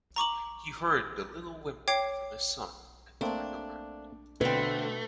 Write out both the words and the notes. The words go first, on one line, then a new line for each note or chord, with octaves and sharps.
He heard the little whimper from his son and turned around.
A#5 C#6 D6 F#7
C#5 G5 D6 G#6 C7
A3 A#3 C4 D4
B2 D3 A3 C4 B4